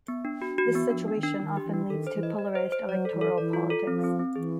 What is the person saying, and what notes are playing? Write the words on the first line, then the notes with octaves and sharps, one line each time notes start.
This situation often leads to polarized electoral politics.
B3
D4
F#4
F#4
E3
B3
F3 D4
D4
D#3
D4
D#3 D4
G4
E3
D4
D#3 A4
C5
E3
D#5
D#5
C5
C5
F#3 D5
A4
E3
A4
E3 D5
F4
A4
F3 C4
C4
C4
E3 G#4